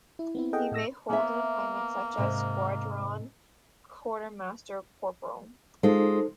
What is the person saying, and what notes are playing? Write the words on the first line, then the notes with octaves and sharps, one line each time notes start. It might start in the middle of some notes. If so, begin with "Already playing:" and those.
He may hold an appointment such as squadron quartermaster corporal.
E4
B3 C4 E4
G#4 A4 D#5 F#5 G5
A2 D#5 E6 A#6
A#3 B3 C#5 E5
G#2 C3
G#3 D#4 F4 A4 C5